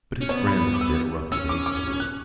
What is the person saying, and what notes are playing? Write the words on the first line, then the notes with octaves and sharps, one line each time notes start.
But his friend had interrupted hastily.
C#4
B3 C#5
B5
D6
E6
C#4 E6
D6
D6
F#6